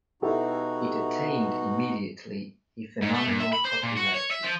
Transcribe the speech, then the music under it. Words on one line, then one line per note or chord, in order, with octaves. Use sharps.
It attained immediately a phenomenal popularity.
B2 D#4 E4 F#4 G4 A4
G#2
A3
G2
E5
B5
C5
A#2
F#4
C#5
E5
F3